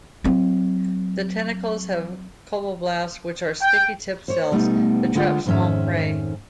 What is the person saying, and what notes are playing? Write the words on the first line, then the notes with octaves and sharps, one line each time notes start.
The tentacles have colloblasts, which are sticky-tipped cells that trap small prey.
F#3 C4
G5
C5 C#5
B2 G3 A3 B3 D#4
D2 D3 G#3 F4 F#5
F2 G#2 D#3 C#4 E5